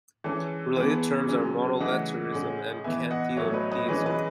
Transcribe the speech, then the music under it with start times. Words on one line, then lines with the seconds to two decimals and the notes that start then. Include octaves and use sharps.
Related terms are monolatrism and kathenotheism.
0.24 E3 G#3 C#4 A4
0.77 E3 G#3 B3
1.29 C#3 F#3 C#4
1.80 C#3 E3 A3 D#5 F#5
2.32 A2 G#3 C#4
2.84 E3 B3 E5 G#5
3.11 D#5 F#5
3.37 A2 F#3 A3 C#5 E5
3.54 B4 D#5
3.72 B4 D#5
3.88 E3 G#3 C#4 B4 D#5
4.06 B4 D#5